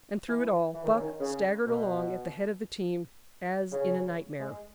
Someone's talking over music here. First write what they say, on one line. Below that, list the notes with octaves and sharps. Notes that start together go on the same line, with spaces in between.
And through it all Buck staggered along at the head of the team as in a nightmare.
E3
E3
D#3
C#3
D#3
C#3
B2
C#3
G#3